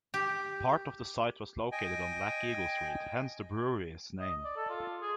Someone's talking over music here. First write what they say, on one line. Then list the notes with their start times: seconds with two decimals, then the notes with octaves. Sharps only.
Part of the site was located on Black Eagle Street, hence the brewery's name.
0.14 G4
1.71 D#5 G5 G#5
4.20 D#5
4.45 D5
4.56 A4
4.70 F4
5.01 G#4